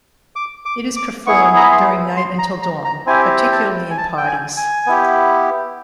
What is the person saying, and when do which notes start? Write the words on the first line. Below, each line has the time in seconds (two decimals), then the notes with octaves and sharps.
It is performed during night until dawn particularly in parties.
0.36 D6
0.66 D6
0.96 D6
1.26 B3 E4 G#4 C#6
1.57 A#5
1.64 B5
1.72 C6
2.17 C6
2.39 A#5
2.62 A#5
2.85 A#5
3.06 C4 E4 G4 G#5
3.52 A5
3.91 G#5
3.98 A5
4.17 G5
4.27 G#5
4.57 G#5
4.87 B3 E4 G4